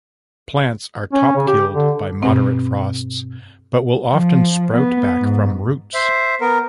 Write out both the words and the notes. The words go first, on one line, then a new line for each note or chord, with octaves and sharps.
Plants are top-killed by moderate frosts, but will often sprout back from roots.
C#4
C#3
G4
D3
G2 B2 C4
F3
B3
G#2
C5 E5
B3 A#4